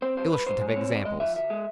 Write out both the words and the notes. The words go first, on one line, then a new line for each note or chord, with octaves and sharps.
Illustrative examples.
C4 C5
G2 C5
G2 B4
G2 C5
G#3
C#5
C4
D2 D5
G#3 D#5
F3 E5
D2 E5
G#3